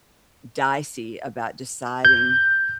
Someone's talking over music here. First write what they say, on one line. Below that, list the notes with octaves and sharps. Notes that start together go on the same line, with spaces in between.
dicey about deciding
G6